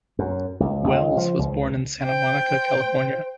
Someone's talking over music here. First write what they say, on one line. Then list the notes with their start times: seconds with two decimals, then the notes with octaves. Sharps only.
Welles was born in Santa Monica, California.
0.19 F#2
0.60 C#2
0.84 C#2
1.17 F3
1.39 C#2
2.04 C5 G5